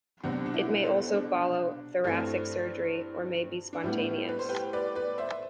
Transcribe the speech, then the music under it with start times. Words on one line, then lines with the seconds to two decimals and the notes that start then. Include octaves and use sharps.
It may also follow thoracic surgery, or may be spontaneous.
0.23 C2 B2 F#3 C4 D4
0.46 D4
0.54 E4
0.84 A4 C5
1.14 D4
2.04 G2 E3 A3 C4
3.73 D4
3.84 A2 G3 B3 E4
4.29 B4
4.39 C5
4.49 G4 B4
4.73 B4 D5
4.95 B4 D5
5.18 C5 E5